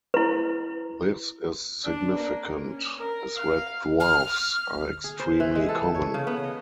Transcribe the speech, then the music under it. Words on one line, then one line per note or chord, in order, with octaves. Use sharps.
This is significant, as red dwarfs are extremely common.
E4 B4
D4
A#3
C#4
A#4
F5
F6
G#4
C5
E3
G#3
A4
C#5
C#3
B3
D#5